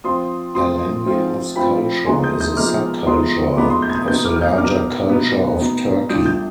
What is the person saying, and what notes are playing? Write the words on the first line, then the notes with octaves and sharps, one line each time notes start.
Alanya's culture is a subculture of the larger Culture of Turkey.
F3 C4 F4 C6 D#6
F3 C4 F4 C6 D#6
F3 C4 F4
F3 C4 F4 G5 B5
F3 G#3 B3 D#4 G#5 C6
D#6 G6
D#6 G6
F3 G#3 B3 D#4 D6 F6
F3 G#3 B3 D#4 C6 D#6
F3 G#3 B3 D#4 B5 D6
C6 D#6
D#6 G6
G#6
D#6 G6
B2 B3 D#4 D#6 G6
D6 F6
F6
D#6 G6
B2 B3 D#4 D6 F6
B2 B3 D#4
B2 B3 D#4
G3 D4 F4 D#6 G6
D#6 G6